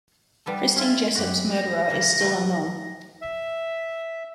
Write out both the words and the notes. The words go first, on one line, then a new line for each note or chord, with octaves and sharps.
Christine Jessop's murderer is still unknown.
G3 B3 A4
C#4 E4 F4
F#2 F#4 G4
A#6
C#3 E3 A#5
A3 B3
E5